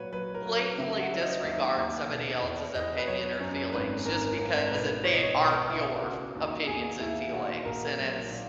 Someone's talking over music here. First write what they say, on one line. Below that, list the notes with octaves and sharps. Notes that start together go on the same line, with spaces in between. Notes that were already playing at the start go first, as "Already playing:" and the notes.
blatantly disregard somebody else's opinion or feelings, just because it they aren't your f opinions and feelings, and it's
Already playing: A#2 F#3 B4 C#5
F#3 B4
A#4
F#3
B4
C#3 E5
F#5
F#3 E5
D#5
D#2 E5
D#2
B2
E2
E2 D#5
B4
F#3 C#5
F#2 C#5
G#1 B4
G#1 A#4
G#1 A#4
A#4
B2 B4
B1 C#5
D#5
C#5
B2 D#5
B2 E4
C#3 F#4
D#2
D#2 G#4
D#2 E4
A#2 F#4
A#1 A#4
F#3
A#2